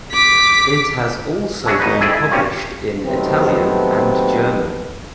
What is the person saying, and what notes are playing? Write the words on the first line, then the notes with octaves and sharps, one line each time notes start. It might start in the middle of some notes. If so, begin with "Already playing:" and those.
It has also been published in Italian and German.
D6 B6
C#4 D4 E4 F#4 G#4
G#1 B2 D#4 B4
F2 E4 G4 G#4 D5 D#5
E4 G#5
G2 G3 C4 C#4 F4
C3 D#3 F#3 A3 B3 C4